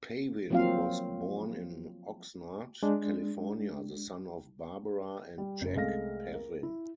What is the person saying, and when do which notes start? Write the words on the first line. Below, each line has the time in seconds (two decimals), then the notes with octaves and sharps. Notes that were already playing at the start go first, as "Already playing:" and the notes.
Pavin was born in Oxnard, California, the son of Barbara and Jack Pavin.
0.50 F3 F#3 A#3 C4 F4 F5
2.83 G#3 D4
5.38 G3
5.61 F#1
5.75 C2 G#3 A3 F5 A#6
6.35 A#4
6.63 E4